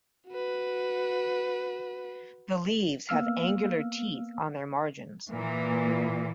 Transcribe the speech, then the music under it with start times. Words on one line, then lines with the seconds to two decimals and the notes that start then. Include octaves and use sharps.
The leaves have angular teeth on their margins.
0.28 F#4 B4
3.09 A#3 B3 F5 E6 F6
5.31 A#2 E3